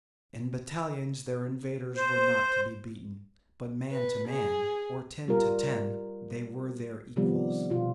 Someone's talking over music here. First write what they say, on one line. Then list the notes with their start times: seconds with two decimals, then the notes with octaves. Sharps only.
In battalions their invaders were not to be beaten, but man to man, or ten to ten, they were their equals.
1.96 C5
3.92 B4
4.28 G#4
5.28 G3 F4 A#4
7.16 C3 D#3 F3 G3 B3
7.70 B2 F4